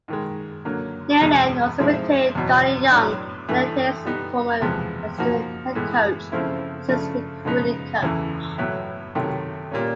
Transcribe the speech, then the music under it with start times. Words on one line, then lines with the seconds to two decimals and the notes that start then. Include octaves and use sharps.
Nehlen also retained Donnie Young, Cignetti's former assistant head coach, as his recruiting coach.
0.08 G#2 D#3 G#3
0.65 D3 F#3 A#3
1.21 E2 B2 G#3 B3
1.78 G#2 F3 G#3 C4 E4
2.35 E2 B2 F#3
2.92 A2 F#3 B3 D4
3.49 G2 E3 A3
4.05 G3 B3 D#4
4.61 E2 C3 F3 G#3 B3
5.18 F3 A#3 D#4 F#4
5.75 A2 E3 G#3 B3
6.32 C#3 F3 A3 C4 E4
6.88 C#3 F3 A3 D4
7.45 C#3 F3 G#3 B3 D#4
8.02 E2 C#3 E3 A3
8.58 A2 F#3 B3 E4
9.15 C3 D#3 F#3 A3
9.72 A#2 G3 A#3 C#4